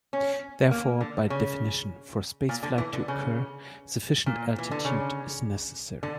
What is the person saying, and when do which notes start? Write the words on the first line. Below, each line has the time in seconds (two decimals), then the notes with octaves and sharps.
Therefore, by definition for spaceflight to occur, sufficient altitude is necessary.
0.13 C#4
0.71 A#3
1.01 D3
1.30 C#3
2.49 A#2
2.63 D3
2.78 E3
2.93 D3
3.08 C#3
4.26 A#2
4.58 E3
4.71 D3
4.85 C#3
6.03 D3